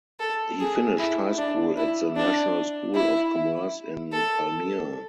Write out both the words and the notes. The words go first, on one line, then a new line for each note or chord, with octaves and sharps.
He finished high school at the National School of Commerce in Palmira.
A4
G#4
E4
D4
E4
D4
E4
A4